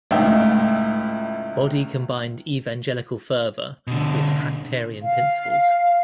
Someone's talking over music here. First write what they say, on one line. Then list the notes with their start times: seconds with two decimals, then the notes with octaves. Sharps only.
Body combined evangelical fervour with tractarian principles.
0.11 C#2 A2 D#4 E5 G5
3.87 B2 D3
5.03 F5